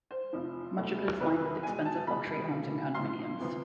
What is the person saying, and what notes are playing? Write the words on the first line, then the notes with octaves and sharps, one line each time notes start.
Much of it is lined with expensive luxury homes and condominiums.
C5
F1 E2 C3 F3
F1 E2 B2 A3
F1 F2 E3 B3 B4
E2 B2 G#3 G#5
A5
C2 B2 G#3 B5
B1 B2 A3
B1 A2 F3 C6
D2 C3 F3 B3